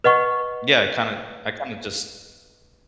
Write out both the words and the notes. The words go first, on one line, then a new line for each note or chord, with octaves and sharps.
Yeah, I kinda I kinda just
B4 D#5 F#5 C#6